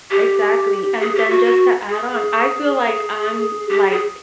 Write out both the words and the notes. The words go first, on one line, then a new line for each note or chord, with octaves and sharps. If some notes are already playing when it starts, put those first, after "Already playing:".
exactly. And then just to add on, I feel like I'm, like,
G4
G#4
G4
F#4
F#4
G#4
G4
G#4